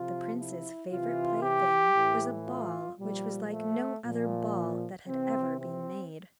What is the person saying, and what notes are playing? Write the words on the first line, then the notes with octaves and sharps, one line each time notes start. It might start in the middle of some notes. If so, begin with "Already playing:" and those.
The prince's favorite plaything was a ball which was like no other ball that had ever been made.
Already playing: C3 F3 F4
E4
C3 E3 F4
G4
A2 E3
F4
A#2 F3 G3
A3
A#2 F3
C3 E3 C4
C4